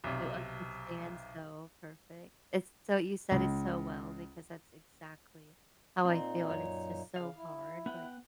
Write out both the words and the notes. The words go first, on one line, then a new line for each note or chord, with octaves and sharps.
you understand so perfect. It's so you said it so well because that's exactly how I feel, and it's just so hard, like
B1 C3
C#2
A#2 C4 D#4
F#2 C#5
C#3 F5
E4
B3 F#5 G5